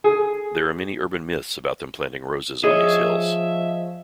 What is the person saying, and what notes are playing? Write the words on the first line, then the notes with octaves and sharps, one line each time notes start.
There are many urban myths about them planting roses on these hills.
G#4
F3 G#4 C#5 D#5 E5